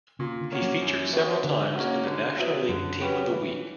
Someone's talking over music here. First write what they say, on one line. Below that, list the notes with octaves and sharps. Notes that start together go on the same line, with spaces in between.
He featured several times in the National League Team of the Week.
A#2 C#3
D3
A#3 C#4 F#4
F#3
F#2
E3 B3 F#4 C#5
D3 E3
A#3 C#4 F#4
D3
F#3 B3 E4
F#2 D3
G3 C#4 F#4 B4
E3